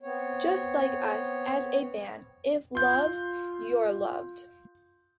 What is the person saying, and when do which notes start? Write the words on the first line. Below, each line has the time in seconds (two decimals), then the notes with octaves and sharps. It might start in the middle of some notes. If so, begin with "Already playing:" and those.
Just like us, as a band, if loved - you're loved.
0.01 B3 C4 C#5
2.75 F4 C6 G6